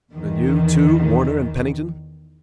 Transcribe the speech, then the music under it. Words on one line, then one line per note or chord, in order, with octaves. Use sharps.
"And you, too, Warner and Pennington?"
E2 D#3 E3